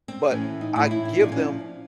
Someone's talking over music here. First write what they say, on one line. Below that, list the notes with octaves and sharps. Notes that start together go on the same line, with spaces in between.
but I give them
C4
A2 E3 C#4
D#4
A2 E3 E4
E4
E4
A#2 F3 D4
C#4